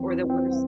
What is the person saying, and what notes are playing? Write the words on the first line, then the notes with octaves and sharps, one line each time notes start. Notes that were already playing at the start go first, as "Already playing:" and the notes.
Or the worst
Already playing: E2 E3 C4
E3
C4
G3